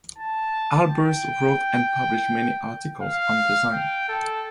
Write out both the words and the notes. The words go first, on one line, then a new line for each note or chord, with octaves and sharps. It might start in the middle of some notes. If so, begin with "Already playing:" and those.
Albers wrote and published many articles on design.
A5
G5
F5
G5
A4